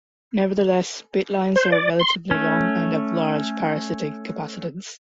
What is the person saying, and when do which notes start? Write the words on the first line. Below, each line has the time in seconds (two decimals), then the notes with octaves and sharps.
Nevertheless, bit lines are relatively long and have large parasitic capacitance.
1.56 C5
1.72 D5
2.00 C6
2.31 A3 C#4